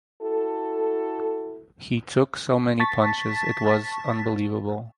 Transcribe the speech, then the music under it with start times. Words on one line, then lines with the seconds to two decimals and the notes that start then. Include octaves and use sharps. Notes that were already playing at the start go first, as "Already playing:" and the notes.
He took so many punches it was unbelievable.
0.22 E4 F#4 A4
2.80 A5 C#6 A6 B6